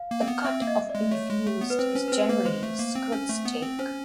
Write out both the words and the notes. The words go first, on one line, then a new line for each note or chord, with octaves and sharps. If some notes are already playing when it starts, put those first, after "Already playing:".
The cut of beef used is generally skirt steak.
Already playing: F5
A#3
C4
B3
C4 E5
A#3
D#5
D5
G#3
A3 C#5
G#3
A3
B3
B4
C4 C5
C#4 C5
B4
C4 C5
A#3 B4
G#3 C5
A3
A#3
C4
C#4
A3
B3
C4
C#4 C5